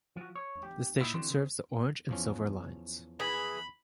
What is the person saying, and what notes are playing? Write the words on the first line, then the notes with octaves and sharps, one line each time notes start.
The station serves the Orange and Silver Lines.
F3 F#4
C#5
G4
A#2 D#4 E4
D3 E3 C4 F#4 D5 C6
C#3 C4
E2 F3 C#4
E3 G#4 B5